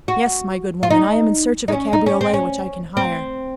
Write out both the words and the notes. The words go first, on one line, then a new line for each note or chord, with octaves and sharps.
"Yes, my good woman; I am in search of a cabriolet which I can hire."
F#4
F4
D#4
D#4
C#4
D#4
C#4
C4
C#4
C4